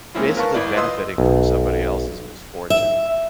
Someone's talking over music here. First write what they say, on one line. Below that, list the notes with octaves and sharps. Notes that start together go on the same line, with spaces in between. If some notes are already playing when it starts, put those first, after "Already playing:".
basically benefiting from somebody else's misfortune."
G#3 A#3 C4 C#4 E4 F4
A#4 B4 F5 A5 C#6
G1 E4 D5
F4 B4 D#5 C6 D#6 E6
B1
E5